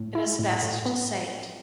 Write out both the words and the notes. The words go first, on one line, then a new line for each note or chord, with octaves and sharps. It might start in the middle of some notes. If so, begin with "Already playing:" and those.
It is best to say it.
Already playing: A2
E4
A2
A2
B3